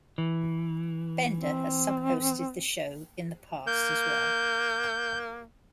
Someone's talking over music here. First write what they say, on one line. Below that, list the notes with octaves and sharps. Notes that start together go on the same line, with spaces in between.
Bender has sub-hosted the show in the past as well.
E3
C4
A#3 G6